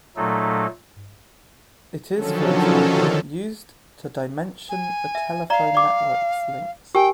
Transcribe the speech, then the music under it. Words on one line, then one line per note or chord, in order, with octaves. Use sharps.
It is, for example, used to dimension a telephone network's links.
A#2 F#3 A3 D#4 A4
D3 D#3 F3 F#3 C#4 A4
G#5
E5
D5 F5 A#5
D5 D6
G4 A#4 G5 G#5